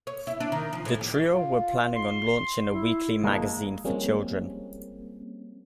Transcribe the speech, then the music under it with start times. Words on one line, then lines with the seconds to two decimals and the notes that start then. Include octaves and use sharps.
The trio were planning on launching a weekly magazine for children.
0.07 C#5
0.27 E4
0.40 D4
0.52 D#3
0.73 F3
0.85 A2
1.01 G4
1.28 F4
1.96 C6
2.72 E4
3.24 G#3 A#3 A5
3.84 F3 G3 G#3 A#3 C4 C#4